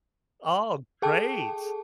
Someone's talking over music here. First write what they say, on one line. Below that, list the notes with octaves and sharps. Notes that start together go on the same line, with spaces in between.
Oh, great.
G#4 A4 G5 A5